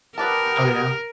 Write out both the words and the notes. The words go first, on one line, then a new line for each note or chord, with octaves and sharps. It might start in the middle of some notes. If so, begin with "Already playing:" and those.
Oh, yeah.
G4 A#4 B4 D5 F#5 A5 D#6